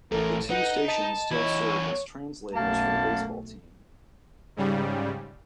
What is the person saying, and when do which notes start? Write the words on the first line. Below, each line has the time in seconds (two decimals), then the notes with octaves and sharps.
The two stations still serve as translators for the baseball team.
0.11 A1 A2 E3 A4 A#4
0.50 D#4 B4 F#5
0.88 D#5 A5
1.31 E2 E4 C#5
1.73 C#6
2.54 B1 F#2 A3 A#3 A5
4.56 G#2 C#3 G3